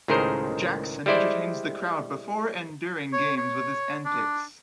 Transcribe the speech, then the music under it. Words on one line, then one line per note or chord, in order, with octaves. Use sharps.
Jaxson entertains the crowd before and during games with his antics.
C#2 A2 D#3 G#4 A#4 C5
G3 G#3 E4 C5 D5
C#5
C#5
D4